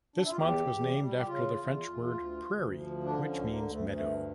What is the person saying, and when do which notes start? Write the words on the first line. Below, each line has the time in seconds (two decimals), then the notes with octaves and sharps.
This month was named after the French word "prairie", which means "meadow".
0.16 D4
0.23 E4
0.30 F4
0.36 E2 G4
0.67 E2
0.97 G3
1.17 G4
1.26 C#3 F4
1.56 E2
1.85 E2
2.14 D2
2.44 D2
2.74 F3
3.03 D3 D4
3.26 C#4
3.33 D2
3.48 A#3
3.63 D2
3.70 A3
3.93 G2 A3